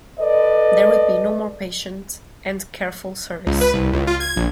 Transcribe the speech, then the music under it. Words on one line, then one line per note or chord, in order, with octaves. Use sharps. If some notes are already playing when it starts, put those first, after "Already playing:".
There would be no more patient and careful service.
A4 B4 D5 D#5
C#2
B4
C2
C#2
F4
G#6
A#1